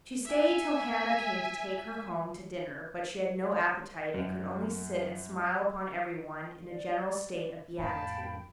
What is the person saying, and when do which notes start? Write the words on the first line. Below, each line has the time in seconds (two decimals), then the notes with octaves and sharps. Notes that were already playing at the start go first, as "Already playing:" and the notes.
She stayed till Hannah came to take her home to dinner, but she had no appetite, and could only sit and smile upon everyone in a general state of beatitude.
0.25 E5 G#5
4.14 F#2
6.68 D5
7.78 F2 A2 F5 G5 A5 B5